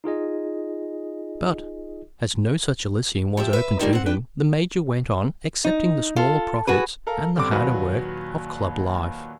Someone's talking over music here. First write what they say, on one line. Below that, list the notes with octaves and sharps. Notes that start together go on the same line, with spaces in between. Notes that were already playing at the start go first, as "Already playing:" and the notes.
But, as no such Elysium was opened to him, the major went on accepting the smaller profits and the harder work of club life.
D#4 F4 G#4 D#5
F3 G4 E5
B4 E5
D#3 F3 G3 A#3
C4 F#5
D4 B4 G5
D#4
F4 A4
F#4 G#4 B4
A4 A#4 F5 A#5
D3 G3 C4 D6
D#2 A#2 F#3 F#4 B4